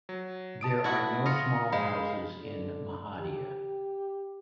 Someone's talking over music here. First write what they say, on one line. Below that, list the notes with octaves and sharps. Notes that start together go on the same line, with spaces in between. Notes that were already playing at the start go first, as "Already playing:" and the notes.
There are no small houses in Mehadia.
F#3
A5 D#6 D7
E4 F#4 F#5
F4 D#6 A#6 C#7
G#3 C5 F5 B5
D3
G4